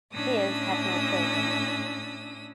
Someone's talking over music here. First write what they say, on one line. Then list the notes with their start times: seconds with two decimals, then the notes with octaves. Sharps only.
Pearce had no children.
0.13 A2 C#4 D4 D#6 E6